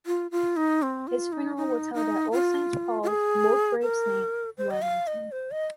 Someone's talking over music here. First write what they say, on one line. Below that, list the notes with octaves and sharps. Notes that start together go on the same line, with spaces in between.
His funeral was held at Old Saint Paul's, Mulgrave Saint, Wellington.
F4
F4
D#4
C4
F4
D#4
D#4
D#4
F4
F4
G#4
A#4
C5
D#5
F5
D#5
C5
D#5